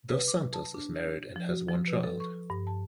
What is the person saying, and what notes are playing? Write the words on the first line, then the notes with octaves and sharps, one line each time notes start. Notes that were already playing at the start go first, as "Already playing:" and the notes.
Dos Santos is married and has one child.
B4
D6
A5
D4
F3
F#4
F3
B4
A4
C#6
G2
A5